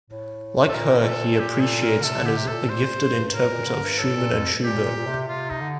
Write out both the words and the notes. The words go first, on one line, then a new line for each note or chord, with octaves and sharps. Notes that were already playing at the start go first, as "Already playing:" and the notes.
Like her, he appreciates and is a gifted interpreter of Schumann and Schubert.
A2
A4
A#2 A#4
A#4
A4
G4
A4
A#4
D3
C3 A4
D3 G4
C3
A4
A#2
A#2 C5
G2
A2 A#4
A#2
D3
G2
A2 A4
A#2
F2
A#2 G4
A#2
A#2
C3
C3 F4
D#4
D3